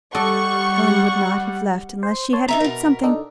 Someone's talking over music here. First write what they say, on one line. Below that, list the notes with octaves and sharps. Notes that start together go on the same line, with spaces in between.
Helen would not have left unless she had heard something.
G3 A4 D5 D#5 F#5 C#6
C5
C#5 A5 C6
D#4 E5 A#5 B6
B2 A#4
D4 D#4 A4